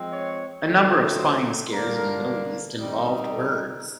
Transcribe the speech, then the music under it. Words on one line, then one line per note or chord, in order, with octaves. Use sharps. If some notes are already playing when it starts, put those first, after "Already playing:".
A number of spying scares in the Middle East involved birds.
Already playing: F3 G#3 C4
C#5
D3 F#3 A3 C4 D#4
C5
D3 G3 A#3 D4 A#4
D#3 G3 C4 D#4
A4